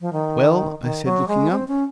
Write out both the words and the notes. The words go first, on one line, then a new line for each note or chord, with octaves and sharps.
"Well?" I said, looking up.
F3
D#3
D#3
F#3
G#3
C4
C#4